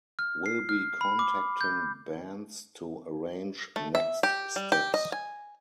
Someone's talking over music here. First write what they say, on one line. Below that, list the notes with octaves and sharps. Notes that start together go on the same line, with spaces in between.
Will be contacting bands to arrange next steps.
F6
C7
F6
B5
D6
G6
A3
E5
G4
G3
G4
D#5
G#5